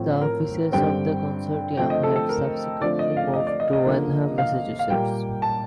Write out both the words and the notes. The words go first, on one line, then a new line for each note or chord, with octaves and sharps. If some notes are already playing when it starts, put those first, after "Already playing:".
The offices of the Consortium have subsequently moved to Wenham, Massachusetts.
Already playing: A2 F3 C4
A#4
G2 D3 G3 C4 G5
D3 F3 A3 C4 G5
D#5
A4
A4
A#4
D3 F3 A3 C4 D5
D#5
F5
D#5
D5
D#5
D#5
D3 F3 A#3
F5
F5
A#2 G3 A#3 G5
A5